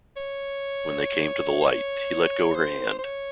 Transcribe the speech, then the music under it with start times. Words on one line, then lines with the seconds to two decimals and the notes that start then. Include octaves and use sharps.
When they came to the light, he let go her hand.
0.17 C#5
1.61 C#5
2.56 C5
2.99 C5
3.04 C#5